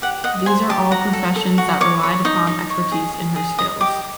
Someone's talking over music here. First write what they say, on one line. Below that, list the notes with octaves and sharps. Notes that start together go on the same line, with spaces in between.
These are all professions that relied upon expertise in her skills.
G4 F#5
D#5 F#5
C5 G#5
G4 A5
F#4 A#5
A4
A4
F#4
C#5 D6
C#5
D#4 D#6
D#4
C#5
G#4
G#4
G#4
D#5 D#6
G4 D6